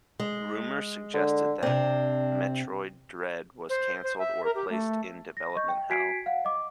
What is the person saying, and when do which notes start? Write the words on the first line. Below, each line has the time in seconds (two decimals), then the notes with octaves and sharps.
Rumors suggested that "Metroid Dread" was cancelled or placed in development hell.
0.20 G#3
1.14 D3
1.63 C3 C4 D4
3.69 C5
4.03 C5
4.18 E5
4.44 A#4
4.55 G4
4.70 A3
5.37 A#6
5.56 D#5 C#6 G6
5.68 G5
5.90 F#4 G#5 G#6 B6 C7 D7
6.26 F5 F#5
6.45 D#5 D6